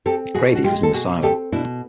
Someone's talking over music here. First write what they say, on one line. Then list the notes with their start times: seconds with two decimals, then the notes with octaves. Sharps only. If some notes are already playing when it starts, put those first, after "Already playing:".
Grady was in the silo.
0.06 C4 G4 A4
0.35 B2 F#4 G#4
0.55 F#4
0.64 G#3 F4 G4
0.83 A4
0.94 B2 F#4 G#4
1.22 C4 G4 A4
1.52 B2 D4 E4